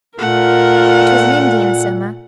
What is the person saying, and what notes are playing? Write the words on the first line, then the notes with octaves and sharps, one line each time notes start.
It was Indian Summer.
A#2 A3 F4 A#4 F#5